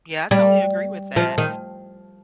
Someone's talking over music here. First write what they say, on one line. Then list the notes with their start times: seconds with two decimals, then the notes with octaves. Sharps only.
Yeah, I totally agree with that.
0.31 G3
1.16 F3
1.38 D#3